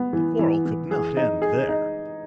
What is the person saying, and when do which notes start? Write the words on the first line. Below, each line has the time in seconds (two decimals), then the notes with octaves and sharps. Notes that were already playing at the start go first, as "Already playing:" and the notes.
The quarrel could not end there.
Already playing: B3
0.13 E3
0.39 E3
0.65 E3
0.91 G#4
1.17 D#4
1.42 G#4
1.69 D#4